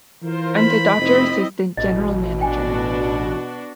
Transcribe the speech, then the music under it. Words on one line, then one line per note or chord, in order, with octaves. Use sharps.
I'm the Dodger assistant general manager.
E3 F4 A#4 C5
B5
F1 C4 E4 D#5
A1 B2 D#5
B3 D4 F#4 G5 G#5